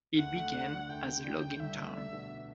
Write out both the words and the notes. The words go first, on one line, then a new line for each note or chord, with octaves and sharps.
It began as a logging town.
D2 F#5
A3
D4
D3
D2 G5
A3
D4
D3
C2 E5
A3
D4 E5
B2